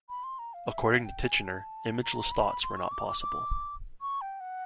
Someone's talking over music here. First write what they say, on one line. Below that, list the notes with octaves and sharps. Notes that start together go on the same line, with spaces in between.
According to Titchener, imageless thoughts were not possible.
B5
C6
A#5
F5
E5
F5
G5
G#5
A5
A#5
B5
C6
C#6
D6
D6
D6
C#6
G5
F#5